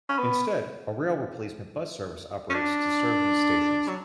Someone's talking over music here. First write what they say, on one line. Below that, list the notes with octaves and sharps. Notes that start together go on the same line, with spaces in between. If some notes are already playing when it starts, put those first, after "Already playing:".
Instead, a rail replacement bus service operates to serve these stations.
C#4
B3
C#4
D4
F#3